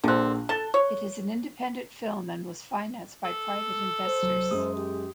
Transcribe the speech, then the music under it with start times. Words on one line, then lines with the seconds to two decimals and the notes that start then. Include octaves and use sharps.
It is an independent film and was financed by private investors.
0.04 A#1 D3 C4 F#6
0.49 A4 A5 G7
0.74 C#5
3.25 A4
4.06 C5
4.23 C2 F#3
4.51 F#2 G#3 D#6
4.75 G4